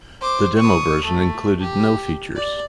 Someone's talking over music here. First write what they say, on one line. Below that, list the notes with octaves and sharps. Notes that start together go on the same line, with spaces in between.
The demo version included no features.
C5 D6
C#6 D#6
A3
G4
D5